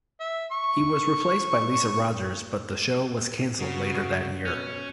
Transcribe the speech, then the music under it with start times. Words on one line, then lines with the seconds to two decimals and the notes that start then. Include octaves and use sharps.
He was replaced by Lisa Rogers but the show was cancelled later that year.
0.20 E5
0.52 C#6
3.59 C#3 F#4
4.45 B2 C#4